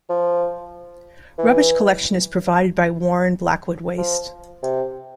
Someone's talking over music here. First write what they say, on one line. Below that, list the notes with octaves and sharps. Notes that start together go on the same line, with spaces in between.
Rubbish collection is provided by Warren Blackwood Waste.
F3
E3
F3
C3